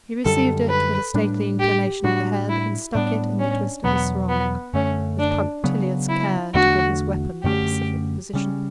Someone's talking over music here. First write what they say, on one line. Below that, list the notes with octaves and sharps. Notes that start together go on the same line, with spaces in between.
He received it with a stately inclination of the head and stuck it in the twist of his sarong, with punctilious care to give his weapon a pacific position.
F#2 D3 G3 A4
B4
A2 G3 D4
G4
A2 G3 D4 F#4
E4
A2 G3 B3 D4
C#4
E2 B2 F#3 B3
B3
F#2 D3 A3 C#4
D4
C#3 F#3 B3
E4
E2 D3 A3 D4 F#4
F#2 D3 A3 C#4 G4
C#3 G3 C#4